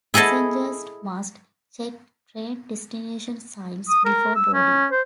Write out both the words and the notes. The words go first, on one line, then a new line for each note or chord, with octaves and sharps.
Passengers must check train destination signs before boarding.
E4 G#4 A4 D#5 A5
D#6
A#4
E6
C#4
C5